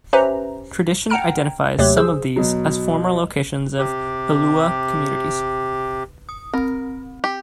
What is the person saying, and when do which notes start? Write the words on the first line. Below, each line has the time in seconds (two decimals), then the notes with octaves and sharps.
Tradition identifies some of these as former locations of Ulua communities.
0.13 C#4 G4 B4 C5 E5 A#5
1.10 F#5 G5 A5 A#5 F6 D7
1.78 D#2 C3 F#3 A3 G4
1.97 G#4 C5 E6
2.36 B2 F#3
3.78 C3 G4
6.29 D#6
6.54 C4 A#4
7.24 G4